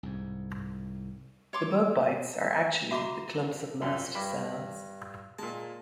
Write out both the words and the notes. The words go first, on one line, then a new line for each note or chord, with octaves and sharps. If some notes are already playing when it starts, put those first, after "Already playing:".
The bug bites are actually the clumps of mast cells.
C2 G#2
C#5 C6 D6
F#4 E5 A#5 C6 D6
F#2 F3 D4
G2 B5 D6
A#2 G#3 A5